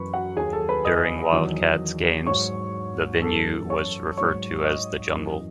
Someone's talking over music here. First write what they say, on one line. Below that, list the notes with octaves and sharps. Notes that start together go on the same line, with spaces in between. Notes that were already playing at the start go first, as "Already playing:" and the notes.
During Wildcats games the venue was referred to as "The Jungle".
Already playing: F#2 E3 B4 B5 C#6
F#4 F#5
D#2 D#3 F#3 G#4 G#5
A4 A5
B4 B5
D#5 D#6
E2 D#3 F#3
G#2 F#3 C#5 C#6
F#2 E3 A4 A5
C#5 C#6
G#2 F#3 C#5 C#6
D#5 D#6
F#2 E3